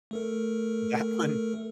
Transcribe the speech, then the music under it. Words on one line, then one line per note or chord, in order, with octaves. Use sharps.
That one
A3 A4 A#4